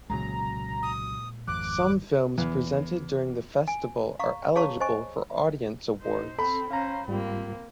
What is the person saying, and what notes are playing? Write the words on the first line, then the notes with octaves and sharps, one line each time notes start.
Some films presented during the Festival are eligible for Audience Awards.
C2 A#2 C#3 F#3 G#3 A#5
D#6
G#1 F2 D6 F#6
E2
G#5
F5 A#5 C#6
G#4 C#5 F5 A5 A#5 C#6
C5 D#5 G#5 C#6
D#4 C5
C4 A4 B5
C#4 C5 F5 A#5
G#2 G3 A#3 C4 F4